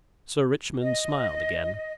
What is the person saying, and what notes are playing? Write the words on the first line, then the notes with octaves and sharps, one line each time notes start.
Sir Richmond smiled again.
D#5